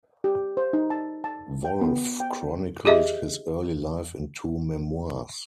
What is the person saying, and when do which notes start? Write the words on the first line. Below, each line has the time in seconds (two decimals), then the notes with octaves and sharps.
Wolff chronicled his early life in two memoirs.
0.24 G4
0.57 C5
0.73 D#4
0.90 A5
1.24 A5
1.65 G5
1.81 B3
2.20 G5
2.85 G4 G#4 D#5 E5